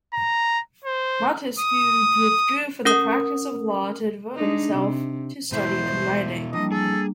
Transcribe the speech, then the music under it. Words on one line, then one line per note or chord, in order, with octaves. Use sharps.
Montesquieu withdrew from the practice of law to devote himself to study and writing.
A#5
C5
D#6
C#4 A#4 D#6
G#3 D4 D#4
C3
G#2 B2 E3 E4 C5
F2 E3 G3 A#3 D4 D#5
G#4 A4